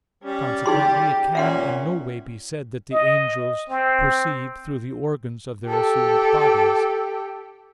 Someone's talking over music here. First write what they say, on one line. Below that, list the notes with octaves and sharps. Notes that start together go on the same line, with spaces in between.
Consequently it can in no way be said that the angels perceive through the organs of their assumed bodies.
G3 C#4
D#4 G4 G#4 C6
A#2 C#4 E5 F#5 C6
D#5
C4
G4 A4